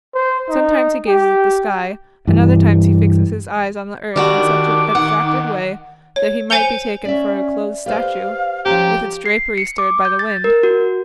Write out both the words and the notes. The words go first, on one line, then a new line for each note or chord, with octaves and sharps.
Sometimes he gazes at the sky, at other times he fixes his eyes on the earth in such an abstracted way that he might be taken for a clothed statue, with its drapery stirred by the wind.
C5
D#4
G4
G2 E3
D#3 G3 D4 F#4 D6
F#5
C#5
C5 G#5 G6 C#7 F7 G7
C#4 D5 E5
G4 B4 C5 F5
F3 C#4 G4 C5 A#5
C7
C#7
D6
G6
A6
A#4
F#4